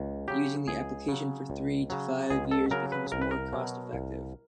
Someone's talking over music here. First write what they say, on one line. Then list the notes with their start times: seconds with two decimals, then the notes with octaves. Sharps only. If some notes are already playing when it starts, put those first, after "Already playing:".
Using the application for three to five years becomes more cost-effective.
Already playing: C#2
0.28 C#3 F#3 G4
0.67 C#2 G#4
1.09 C#3 F#3
1.50 C#2
1.90 C#3 F#3
2.30 C#2 G#4
2.51 A4
2.71 C#3 F#3 A#4
2.92 B4
3.12 C2 A#4
3.22 B4
3.31 A#4
3.53 B2 F#3
3.93 C2